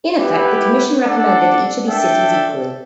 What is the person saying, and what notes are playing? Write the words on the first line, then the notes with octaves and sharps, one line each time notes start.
In effect, the commission recommended each of these cities equally.
B3 E4 G4 B4
D4 A4 D5 F#5
D4 A4 E5 G5